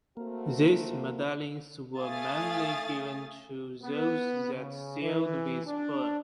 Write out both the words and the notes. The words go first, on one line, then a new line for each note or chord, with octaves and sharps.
These medallions were mainly given to those that sailed with Bern.
A3 A#3 C4 F#4
A3 F5 G#5 D#6 A6
B3
C#3
E3
D4